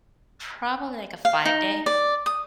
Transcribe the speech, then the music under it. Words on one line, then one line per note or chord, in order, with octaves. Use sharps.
Probably, like, a five-day.
F5
D#4
D5
D#6